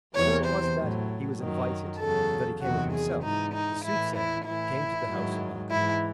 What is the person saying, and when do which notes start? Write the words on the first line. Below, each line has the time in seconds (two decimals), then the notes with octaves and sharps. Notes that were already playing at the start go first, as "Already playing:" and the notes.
Whether it was that he was invited or that he came of himself, the soothsayer came to the house of Malcolm.
0.15 E2 C3 E3 C#5
0.46 C5
0.77 A2 F#3
1.38 F#2 D#3 F#3
2.00 E2 C#3 F#3 A4
2.62 E2 C3 D#3 F#3 F#4
2.93 G#4
3.24 G#2 E3 D#4
3.55 D#4
3.86 A2 E3 E4
4.16 E4
4.47 A2 E3 E4
5.09 G#2 D#3 F#3
5.71 G#2 E3 E4